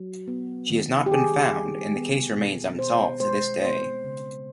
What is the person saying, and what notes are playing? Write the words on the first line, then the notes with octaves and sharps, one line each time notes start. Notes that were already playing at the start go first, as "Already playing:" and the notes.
She has not been found and the case remains unsolved to this day.
Already playing: F#3
B3
D#3
G4
D#3 G#4
G3
B3
B2
B2 C5
G#3 C5
B3 C5
C#3